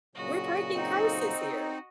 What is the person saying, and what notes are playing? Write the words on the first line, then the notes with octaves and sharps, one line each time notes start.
We're breaking curses here.
A#2 C#3 F#3 F#4 D#5
C4 D#4